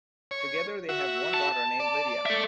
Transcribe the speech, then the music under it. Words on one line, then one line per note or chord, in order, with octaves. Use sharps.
Together they have one daughter named Lydia.
C#5
F#4 E5
A5
D5
A4 E5